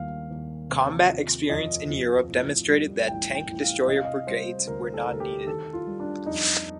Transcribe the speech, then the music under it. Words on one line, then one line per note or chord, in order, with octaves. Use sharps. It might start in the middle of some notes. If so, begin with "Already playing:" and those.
Combat experience in Europe demonstrated that tank destroyer brigades were not needed.
Already playing: D#2 G3 F5
D#2
C3
F3
F2 D#5
F2
A2
G3
A1 G5
G5
A1
F5
C3 D#5
F5
D#5
G3 C5
D2 A#4
A4
D2 A#4
A4
G4
D#3 A4
F4
G3
D4
F2 D#4